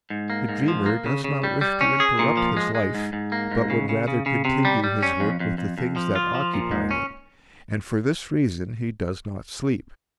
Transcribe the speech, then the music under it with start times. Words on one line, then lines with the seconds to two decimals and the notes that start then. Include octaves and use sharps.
The dreamer does not wish to interrupt his life, but would rather continue his work with the things that occupy him, and for this reason he does not sleep.
0.10 G#2
0.30 A#3
0.49 G#2
0.68 F3
0.86 A#3
1.06 C#3
1.24 C#3
1.44 G3
1.61 G3
1.81 C#4
2.00 G#4
2.19 A#2
2.37 F3
2.57 G#3
2.75 G#3
2.95 G#2
3.13 G#2
3.32 A#3
3.51 G#2
3.70 C#3
3.89 C#3
4.08 C#3
4.26 C#3
4.45 C3
4.65 G3
4.84 G3
5.03 C#4
5.20 F2
5.40 F2
5.58 F2
5.78 F2
5.96 F3
6.15 F4
6.35 F3
6.54 A#2
6.71 G#2
6.91 C#4